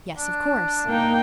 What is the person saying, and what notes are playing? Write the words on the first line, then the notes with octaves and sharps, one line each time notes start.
"Yes, of course."
D4
A#3 D#4 G5